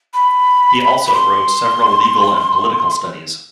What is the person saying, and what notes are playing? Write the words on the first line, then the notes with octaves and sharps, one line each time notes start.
He also wrote several legal and political studies.
B5
B5
C6